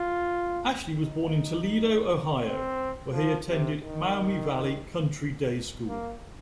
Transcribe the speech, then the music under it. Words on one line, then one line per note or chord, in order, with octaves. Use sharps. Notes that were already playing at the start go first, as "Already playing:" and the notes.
Ashley was born in Toledo, Ohio where he attended Maumee Valley Country Day School.
Already playing: F4
D#4
C4
F3
C3
D#3
A#3